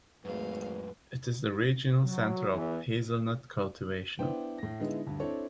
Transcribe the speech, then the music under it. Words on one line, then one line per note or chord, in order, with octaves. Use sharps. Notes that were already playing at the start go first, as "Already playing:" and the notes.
It is the regional center of hazelnut cultivation.
G#1 F#2 G#3 A3 B4 F5
F#3
E2 E3
B3 D4 E4 C5 G5
A2 A#6
D3 G#3 B3 D#4 E4
D2 G2
C4 D4 E4 A4 C#5